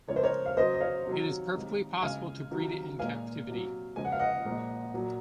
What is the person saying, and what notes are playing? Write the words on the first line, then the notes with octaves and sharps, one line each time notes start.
It is perfectly possible to breed it in captivity.
C#3 F3 G#3 C#5
C5
A#4 C#5
F5
C#3 F#3 C5 D#5
D#5
C#5 F5
C3 D#3 F#3
C3 D#3 G#3
C#3 G#3 F5 G#5
C3 D#3 F#3
A#2 G#3 F5 G#5
C3 F#3
C#3 F3 G#3 G#5
F#5
F5
D#5 F#5
A#2 F3 G#3
A#2 F#3